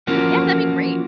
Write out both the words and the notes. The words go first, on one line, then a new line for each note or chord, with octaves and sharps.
Yeah, that'd be great.
E3 F3 A#3 C#4 F#4